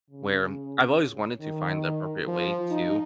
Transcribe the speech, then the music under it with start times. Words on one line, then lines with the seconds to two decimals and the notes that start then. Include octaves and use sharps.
where I've always wanted to find the appropriate way to,
0.11 C#3
1.41 D#3
2.28 F3
2.71 D#4